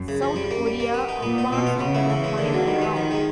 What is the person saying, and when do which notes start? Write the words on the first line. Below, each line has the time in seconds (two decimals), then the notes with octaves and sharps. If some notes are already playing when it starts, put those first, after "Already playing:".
"South Korea" advanced to the Final Round.
Already playing: F#2
0.08 C#3
0.22 F3
0.36 F#2 G3
0.51 A#3
0.66 G3
0.80 A#3
0.94 B3
1.09 D#4
1.23 A#2 B3
1.38 D#4
1.51 B2 C4
1.67 F4
1.80 C#3 B3
1.95 E4
2.10 E3
2.24 G#3
2.38 D3 D#3
2.53 F#3
2.67 D#3 G3
2.82 B3
2.96 F3
3.11 G#3